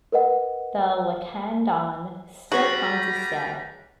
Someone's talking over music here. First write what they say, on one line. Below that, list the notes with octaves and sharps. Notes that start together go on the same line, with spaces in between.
The Lacandon still come to stay.
A#4 B4 D#5 F#5
G3 F#4 G#4 B4 C#5 A#5